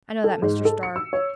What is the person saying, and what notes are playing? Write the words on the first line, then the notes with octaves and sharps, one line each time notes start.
"I know that, Mr. Starr."
A4
G#2
A4
C#7
E6
C#5